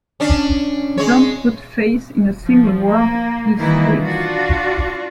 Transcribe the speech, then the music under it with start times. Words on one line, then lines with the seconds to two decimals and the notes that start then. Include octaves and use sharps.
Don’t put faith in a single word he speaks.
0.20 C#4 D4
0.98 G#3 C#5
2.44 F3
2.87 A#3
3.59 D#3 E3 G3 A#3 D#4 E4
3.99 D4 F4 F#4